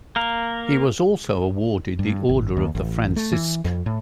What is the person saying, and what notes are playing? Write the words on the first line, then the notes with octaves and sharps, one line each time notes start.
He was also awarded the Order of the Francisque.
A#3 A#4
G2
G#1
D#2
A1
A3
E3
F2
A2